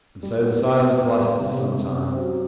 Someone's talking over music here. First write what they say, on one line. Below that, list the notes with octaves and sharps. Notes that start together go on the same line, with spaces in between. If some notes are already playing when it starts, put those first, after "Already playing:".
And so the silence lasted for some time.
G3
B3
B3
B3
B3
G3
C3
C3
C3
C4
F#3